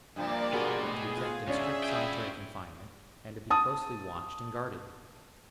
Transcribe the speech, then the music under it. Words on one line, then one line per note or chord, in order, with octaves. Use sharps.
To be kept in strict solitary confinement, and to be closely watched and guarded.
G2 C3 F3 A#3 D5
B3 F#4 G#4 A#4 D#5
A2 G#4
F4
D2 C#4 D4 G#4 E5
B4 G5
A5 D#6